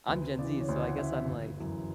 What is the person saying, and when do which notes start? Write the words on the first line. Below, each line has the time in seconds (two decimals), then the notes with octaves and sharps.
I'm Gen Z so, I guess I'm like,
0.08 D2 B4
0.39 C#3 E3 D5
0.61 C#5
0.68 D2 D5
0.83 F#5
0.98 C#3 E3 E5
1.13 E5
1.27 G1
1.57 F#2 E3